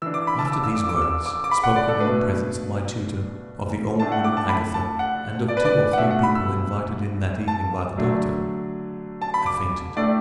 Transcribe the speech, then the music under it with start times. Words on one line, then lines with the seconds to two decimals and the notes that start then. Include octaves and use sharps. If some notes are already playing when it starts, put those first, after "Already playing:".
After these words, spoken in the presence of my tutor, of the old woman Agatha, and of two or three people invited in that evening by the doctor, I fainted.
0.02 E3 E6
0.06 D4
0.14 D6
0.27 B5
0.39 A5
0.47 E6
0.52 D6
0.64 E6
0.76 D6
0.89 D6
1.01 E6
1.26 D6
1.44 D6
1.51 B5
1.64 F#5
1.76 D5
1.88 A4
2.00 B2 A3 D4 B4
4.00 A2 A3 D4 A5
4.12 F#5
4.24 D6
4.37 A5
4.49 B5
4.74 A5
4.99 F#5
5.48 D5
5.57 B4
5.65 D5
5.93 F#5
5.98 B2 E5
6.01 A3 D4
6.11 F#5
6.23 B5
6.35 E6
7.48 A5
7.98 D3 F#3 A3 D4
9.22 A5
9.34 B5
9.46 D6
9.96 A2 A3 D4 D5